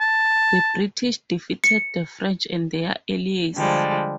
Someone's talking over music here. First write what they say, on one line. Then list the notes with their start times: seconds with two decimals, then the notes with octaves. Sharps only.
The British defeated the French and their allies.
0.01 A5
1.64 C#7
3.55 D3 F3 G3 G#3